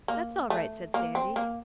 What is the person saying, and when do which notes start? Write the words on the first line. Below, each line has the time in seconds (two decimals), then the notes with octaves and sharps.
'That's all right,' said Sandy.
0.08 A#3
0.50 A3
0.94 A#3
1.15 C4
1.36 A#3